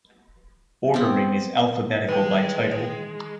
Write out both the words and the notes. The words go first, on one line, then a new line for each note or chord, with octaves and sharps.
Ordering is alphabetical by title.
B3 C4
D#3 E3 G#3 B4 G5